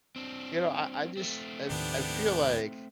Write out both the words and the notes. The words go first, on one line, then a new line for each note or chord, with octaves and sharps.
you know, I I just, I I feel like
C4 D4
A3 C4
D#2 A2 D#3 B3 D4 G4